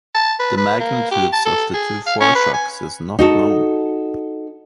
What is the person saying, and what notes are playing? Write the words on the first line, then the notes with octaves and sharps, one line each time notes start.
The magnitudes of the two foreshocks is not known.
A5
B4
B4
A#3
G4
A5
A4
G#4
F5
C#4
B4
G#5
D#4 F#4 A4